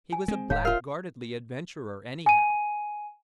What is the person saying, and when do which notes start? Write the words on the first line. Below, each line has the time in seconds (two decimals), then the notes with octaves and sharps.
He was a blackguardly adventurer, anyhow.
0.12 G#5
0.28 G#3 C4
0.50 D#1 G#2 C#5 F5
0.65 F4 A#4 F5
2.26 G#5 D#7